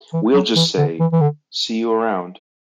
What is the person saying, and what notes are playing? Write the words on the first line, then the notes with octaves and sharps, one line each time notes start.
We'll just say, 'see you around.
E3
F#3
E3
D3
E3
E3
D3